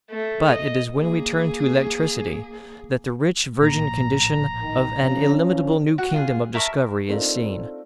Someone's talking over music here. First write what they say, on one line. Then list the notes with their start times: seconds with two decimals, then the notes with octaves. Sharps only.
But it is when we turn to electricity that the rich virgin condition of an illimitable new kingdom of discovery is seen.
0.11 A3
0.49 D#5
0.99 A#3 G#4
3.61 A#1 A2 A#3 A#5
4.62 D#3
5.00 F3 C#4
5.98 F#4
6.14 F4 G#4
6.54 A#4 E5 A5 C#6
7.09 A3 C4 D4 D#4 F4 A#4